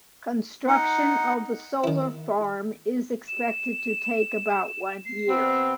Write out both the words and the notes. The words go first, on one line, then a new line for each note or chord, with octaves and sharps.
Construction of the solar farm is expected to take about one year.
D#4 F#5
D#3 E4
E7
C7
C3 B3 C4